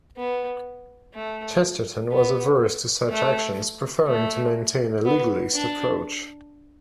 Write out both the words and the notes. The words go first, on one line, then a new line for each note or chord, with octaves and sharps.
Chesterton was averse to such actions, preferring to maintain a legalist approach.
B3
A3
B3
A3
A3
B3
D4